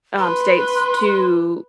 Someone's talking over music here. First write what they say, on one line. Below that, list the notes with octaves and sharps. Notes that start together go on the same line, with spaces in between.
um, states to
B4 C6